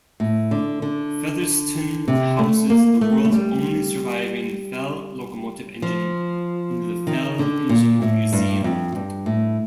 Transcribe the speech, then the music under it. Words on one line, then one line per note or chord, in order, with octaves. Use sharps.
Featherston houses the world's only surviving Fell locomotive engine in the Fell Engine Museum.
A2
D3
D3
C3
A3
A#3
A3
A3
G3
F3
D#3
D3
A#2
A2
G2
F2
G2
A2